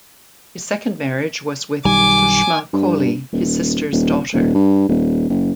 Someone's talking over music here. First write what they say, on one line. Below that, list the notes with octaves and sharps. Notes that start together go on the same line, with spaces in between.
His second marriage was with Sushma Kohli, his sister's daughter.
B1 D#3 G3 G#5 D6
G2
D#1
D#1
D#1
G2
D#1
F#1